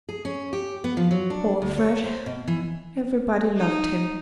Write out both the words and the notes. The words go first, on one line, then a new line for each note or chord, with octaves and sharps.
Poor Fred! Everybody loved him.
G#4
C#4
G4
B3
F3
F#3
D4
D2
C#5
C5
B2
E3
D#4